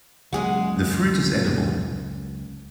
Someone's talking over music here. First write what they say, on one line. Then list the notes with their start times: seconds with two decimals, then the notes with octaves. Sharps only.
The fruit is edible.
0.33 C#2 F#3 G#3 A#3 G#4 F#5